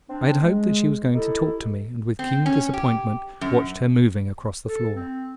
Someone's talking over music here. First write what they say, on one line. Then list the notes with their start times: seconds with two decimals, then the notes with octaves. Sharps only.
I had hoped that she was going to talk to me, and with keen disappointment watched her moving across the floor.
0.09 C4 D4
0.42 G#3
1.15 D#4 E4 G4 A4
2.19 C4
2.46 C#4
2.74 G4
3.41 F#2
4.67 A4
4.95 C4